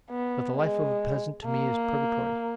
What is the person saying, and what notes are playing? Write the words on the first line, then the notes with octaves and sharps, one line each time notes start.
But the life of a peasant to me is purgatory.
B3
G#3
A#3